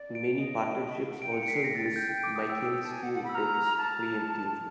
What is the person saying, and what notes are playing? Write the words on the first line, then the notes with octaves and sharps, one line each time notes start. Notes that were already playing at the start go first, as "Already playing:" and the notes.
Many partnerships also use Michaels Cue Bids preemptively.
Already playing: D5
D7
D#5
D#5
E5
F5
F#5
G5 D7
C#7
C#7
B6
C7
A#6
A6
A6
G6
G5
D6
D#6
G5 E6
A5
G#5
F#5
F#5
B5
E6
A#5 F6
A5